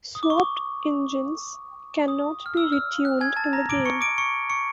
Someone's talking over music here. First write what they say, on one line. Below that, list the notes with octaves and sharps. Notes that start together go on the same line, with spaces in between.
Swapped engines cannot be retuned in the game.
D#6
D6
C#6
D6
D#6
F6
E6
F6
F#6
G#5 G#6
A5 A6
A#5 A#6
D6 D7
C#6 C#7
D6 D7
C#6 C#7
C#6 C#7